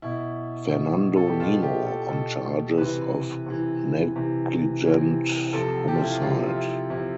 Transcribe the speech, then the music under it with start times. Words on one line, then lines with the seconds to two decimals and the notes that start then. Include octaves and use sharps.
Fernando Nino on charges of negligent homicide.
0.02 B2 E4
0.71 B2
1.16 A4
1.28 G4
1.40 B2 F4
1.63 G4
1.86 A4
2.08 B2 A4
2.78 C3 E3 B4
3.46 C3 E3
4.16 C3 E3
4.84 C3 E3
5.53 C3 F3 A4
5.88 G4
5.94 F4
6.02 E4
6.09 F4
6.22 C3 F3 F4
6.47 F4
6.56 E4
6.90 C3 F3 E4